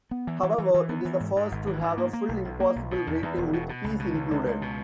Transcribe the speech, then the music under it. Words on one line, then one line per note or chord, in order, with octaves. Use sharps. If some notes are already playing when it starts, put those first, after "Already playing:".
However, it is the first to have a full Impossible rating with keys included.
B3
E3
E3
E3
E3
B3
E3
G#2
G#2
G#1
E3
G#2
A#3
A#3
B1
B1
A#3
B1
B2
E2
E2
E1
B2
B2
C#2
B2
C#2
C#2
C#2
B2